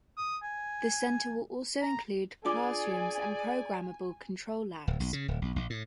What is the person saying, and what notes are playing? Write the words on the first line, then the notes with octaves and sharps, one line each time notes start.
The centre will also include classrooms and programmable control labs.
D#6
G#5
A#5
D4 F4 G#4 D5 G#5 D6
D1
B1
C#3
D1
B1
A#1
A2